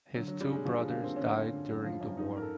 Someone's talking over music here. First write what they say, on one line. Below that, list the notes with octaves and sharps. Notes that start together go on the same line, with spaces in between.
His two brothers died during the war.
D3 F#3
F#3
D3
G3
D3 G#3
F3 G3
G#3
D3
A#3
D3 C4
D3 C#4
F3
D3
F#2
F3
F#2
G#2 D#4
A#4
A4